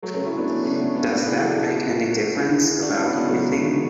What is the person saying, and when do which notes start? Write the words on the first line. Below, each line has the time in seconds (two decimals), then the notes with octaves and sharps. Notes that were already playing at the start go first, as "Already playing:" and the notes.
Does that make any difference about anything?
0.03 F#3 A3
0.14 A3 C#4
0.26 C#4 E4
0.38 B3 D4
0.49 A3 C#4
0.65 A3 C#4
0.80 B3 D4
0.96 B3 D4
1.11 D4 F#4
1.27 E4 G#4
1.42 F#4 A4
2.35 E4 G#4
2.82 D4 F#4
2.94 C#4 E4
3.05 B3 D4
3.17 G#3 B3
3.28 F#3 A3